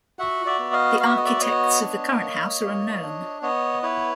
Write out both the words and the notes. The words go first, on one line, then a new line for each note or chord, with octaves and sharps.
The architects of the current house are unknown.
F#4 E5 F#5
D5 E5
B3
D#5 F5
F#4 F5
E5
D#5
D5 E5
B3 C#5 D#5
D4
A#3
A#3
D4
B3 C#5 D#5
E4 B4 C#5